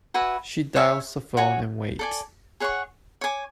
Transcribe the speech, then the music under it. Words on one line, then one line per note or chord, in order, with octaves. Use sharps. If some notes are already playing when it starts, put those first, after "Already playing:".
She dials the phone and waits.
F#4 B4 E5 G#5
C#5 E5 G#5
F#4 C#5 G#5
A4 D5 G#5
G#4 C#5 F#5 C#6
C#5 G#5 D6